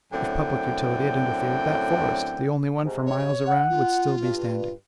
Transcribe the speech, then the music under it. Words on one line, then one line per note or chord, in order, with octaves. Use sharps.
If public utility had interfered, that forest--the only one for miles around--would still be standing.
F#2 A2 D3 C4 G5
G#2 C3
C#5
F#5
F4
G2